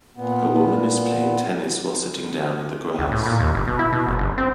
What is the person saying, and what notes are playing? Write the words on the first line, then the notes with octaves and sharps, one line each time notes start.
A woman is playing tennis while sitting down in the grass.
A#2 B3
C#2
A2
A#2
D#2
G1
B2
E4
B2
F#1
G1
C4